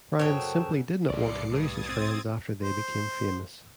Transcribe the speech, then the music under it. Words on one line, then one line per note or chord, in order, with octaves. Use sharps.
Brian simply did not want to lose his friends after they became famous.
F#2 C#3 F#3 A4 C5 C#5 G5 A5
C2 F#2 A2 D5 D6 C7 C#7
G2 D#6 G#6 A6
C4
C5